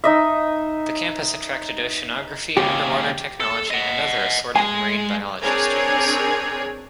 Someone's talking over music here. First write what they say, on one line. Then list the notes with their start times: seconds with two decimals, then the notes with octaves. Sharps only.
The campus attracted oceanography, underwater technology and other assorted marine biology students.
0.04 D#4 D#5 E5
2.57 D#2 C#3 G4
3.40 A4
3.71 D#5 F#5
4.56 G#3 G#5
5.42 C4 D4 G#4 A#4 C#5